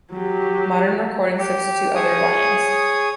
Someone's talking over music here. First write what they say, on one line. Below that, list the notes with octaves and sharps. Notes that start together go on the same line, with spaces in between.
Modern recordings substitute other lines.
F#3 G4
G4
G#4 C#5 D#6